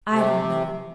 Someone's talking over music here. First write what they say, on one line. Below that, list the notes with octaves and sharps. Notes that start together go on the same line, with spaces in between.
I don't know.
C3